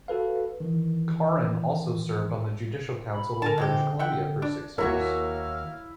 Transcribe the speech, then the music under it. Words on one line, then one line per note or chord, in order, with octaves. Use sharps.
Karin also served on the Judicial Council of British Columbia for six years.
F#4 A4 B4 F5
D#3 E3
B5
D3 A#4 G#5 A5
G#3 C4 G4
E5 F#5 G5
D4
D#2 A#3 E4 F#4 A#4 C#5 F5